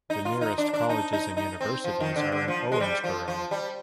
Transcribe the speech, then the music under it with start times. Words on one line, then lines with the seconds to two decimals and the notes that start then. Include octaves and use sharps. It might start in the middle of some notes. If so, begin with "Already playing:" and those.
The nearest colleges and universities are in Owensboro.
0.10 D#4
0.25 F4
0.41 D#4
0.58 D4
0.74 D4
0.89 D#4
1.13 D#4
1.37 D#4
1.61 C4
1.84 F3
2.00 D#3
2.16 D3
2.32 D3
2.48 F3
2.72 G#3
2.80 G3
3.04 F3
3.28 F3
3.51 G3